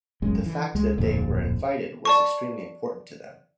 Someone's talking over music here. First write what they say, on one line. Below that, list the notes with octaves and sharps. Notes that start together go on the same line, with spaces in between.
The fact that they were invited was extremely important to them.
D1 G1 F#2 G#3
E3
C#2 G#3
D1 F2 A#2 D3
D5 A5 C#6